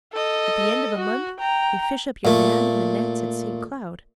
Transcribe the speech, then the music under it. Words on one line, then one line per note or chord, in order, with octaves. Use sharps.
At the end of a month they fish up your man in the nets at Saint-Cloud.
A4 D#5
F#4
G5 A#5
A#2 A3